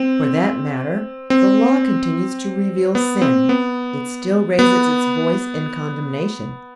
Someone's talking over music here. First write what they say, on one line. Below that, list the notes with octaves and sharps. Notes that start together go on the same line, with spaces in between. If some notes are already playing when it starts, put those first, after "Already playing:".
For that matter,--the Law continues to reveal sin. It still raises its voice in condemnation.
Already playing: C4
C4
B3
C4
B3
B3